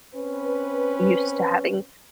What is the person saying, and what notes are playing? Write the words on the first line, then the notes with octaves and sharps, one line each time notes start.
used to having
C4 C#4 B4